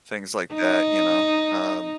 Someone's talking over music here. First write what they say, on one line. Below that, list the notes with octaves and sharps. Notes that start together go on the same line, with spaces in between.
things like that, you know, um,
D#4